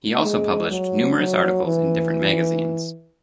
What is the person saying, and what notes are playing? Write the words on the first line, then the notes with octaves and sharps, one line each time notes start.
He also published numerous articles in different magazines.
G#3
F#3
F#3
E3